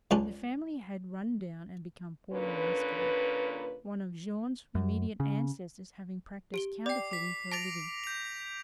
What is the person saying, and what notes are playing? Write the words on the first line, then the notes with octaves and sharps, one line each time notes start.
The family had run down and become poor and rascally, one of Jeanne's immediate ancestors having practiced counterfeiting for a living.
C#2 C#4 D4
A#2 D3 C#4 B4
F#2
C#3
G4 D7 G7
D5 G5 D6 C7
D6 B6
A5 D6 A6 A#6 D7 F7
G6 F7